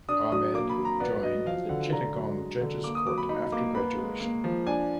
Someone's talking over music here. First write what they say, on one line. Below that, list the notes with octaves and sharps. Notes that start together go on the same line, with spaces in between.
Ahmed joined the Chittagong Judges Court after graduation.
D4 D#6
F#3 D#6
A#3 D6
B5
F#3
A#5
B3 D5
F#3 D#5
F3 F5
D3 F#5
D4 A#5
F#3
G#3
D3
A#3 D6
D#6
F#3 D6
B5
D#4 B5
A#3 D6
B3 B5
G#3
A#3
F3
D4 G#5